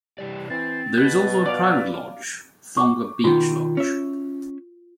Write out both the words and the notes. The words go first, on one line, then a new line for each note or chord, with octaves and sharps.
There is also a private lodge - Thonga Beach Lodge.
C3 E3 G3 D5
E3 C4 A6
B2 B4 F#6
D5 F5
C#6 D6
B2 D#3 F4 F#4
C#4 E5